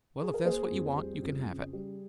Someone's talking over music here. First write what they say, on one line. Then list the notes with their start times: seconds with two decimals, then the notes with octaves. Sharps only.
Well, if that's what you want, you can have it.
0.22 G#4
0.34 A#4
0.45 A#3 G#4 C5
0.71 F2
0.97 G3
1.22 F2
1.48 C#3
1.73 G3